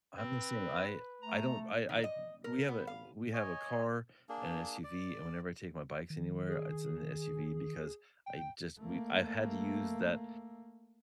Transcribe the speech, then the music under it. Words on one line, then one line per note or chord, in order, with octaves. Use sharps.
I'm the same, I I don't I I d we have a we have a car and SUV, and whenever I take my bikes anywhere, it's an SUV, because I just we I had to use that,
C4 B4
A3 A#5
D#3
D#5
A#4
B3
F5
C#5 D#5 G#5
A#3 D4 G#4
D5
D#3
G#4
G5
A3 A#3